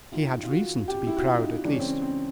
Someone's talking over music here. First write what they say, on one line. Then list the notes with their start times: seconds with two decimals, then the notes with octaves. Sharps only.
He had reason to be proud, at least.
0.12 D#2 D#3 F4
0.43 F4
0.50 F#4
0.88 G4
1.07 E4
1.17 F#4
1.26 F4
1.38 D#4
1.64 C#2 C#3 E3 D4
1.72 C#4
1.80 C4
1.88 C#4
2.02 C4